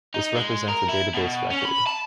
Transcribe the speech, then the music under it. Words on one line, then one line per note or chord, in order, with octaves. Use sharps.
This represents a database record.
D#4
G#3
A#4
E4
B2
C#4
B5
A5